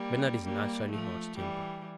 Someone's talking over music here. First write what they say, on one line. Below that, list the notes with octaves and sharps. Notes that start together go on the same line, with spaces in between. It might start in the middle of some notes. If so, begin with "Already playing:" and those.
"Bernard is naturally hot tempered."
Already playing: G3 A#3
G3 A#3
F3 A3
E3 G3